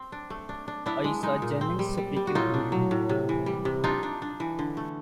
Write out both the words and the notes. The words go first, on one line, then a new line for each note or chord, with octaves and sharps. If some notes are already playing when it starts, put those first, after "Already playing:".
I saw Jennings speaking to you.
Already playing: C4
D4
A3
D4
D4
B3 D4 E4
G#3
G#3 D#4
A#2
C4
G3
G3
G3
F#4
A2 D#4 F4
D4
F#3
A2
C3
E3
G3
C3
D4 D#4 F4
D4
D4
E3
D3
A3